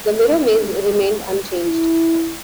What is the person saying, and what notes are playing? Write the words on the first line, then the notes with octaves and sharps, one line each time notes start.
The Mirror Maze remained unchanged.
E4